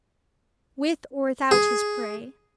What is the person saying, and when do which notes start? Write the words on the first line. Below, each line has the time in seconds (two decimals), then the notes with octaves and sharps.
With or without his prey!
1.51 G#4